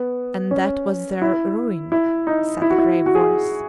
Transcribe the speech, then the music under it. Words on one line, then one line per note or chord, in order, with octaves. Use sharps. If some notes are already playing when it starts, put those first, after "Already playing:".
"And that was their ruin!" said a grave voice.
Already playing: B3
C#4
E4
E4
D#4
E4
F#4
E4
F#4
G#4